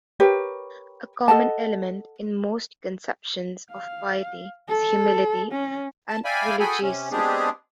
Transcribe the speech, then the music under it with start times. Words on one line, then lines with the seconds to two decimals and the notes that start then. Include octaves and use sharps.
A common element in most conceptions of piety is humility and religiosity.
0.20 G4 A#4 B4 C#5
1.28 A4 D#5 F#5 A5
3.72 F5
4.68 A4
5.52 C#4
6.08 A5
6.25 D5 E5 F5 G5 G#5 B5
6.60 F#4 G#4 A4 G5 G#5 B5
6.82 C3 C#4
7.12 G#3 B3 C4 D4 G4 G#4